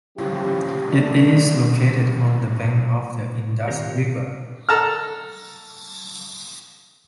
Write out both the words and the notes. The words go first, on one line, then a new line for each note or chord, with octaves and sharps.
It is located on the bank of the Indus River.
F3 C#4 E4 F4 G4
D#3 A3 D4
A#2
D#3 C4 F4 G4 A#4 C#5
A4 A5 A#5 F6